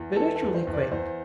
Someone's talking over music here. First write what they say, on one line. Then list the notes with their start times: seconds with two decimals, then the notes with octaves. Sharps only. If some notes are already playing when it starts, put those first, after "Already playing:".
Spiritually quick.
Already playing: E2
0.16 E3 A4
0.36 A4
0.42 E2
0.54 C5
0.67 E2
0.73 D5
0.92 E2 C5